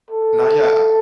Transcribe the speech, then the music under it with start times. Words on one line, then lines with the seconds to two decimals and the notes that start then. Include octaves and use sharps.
No, yeah
0.11 A4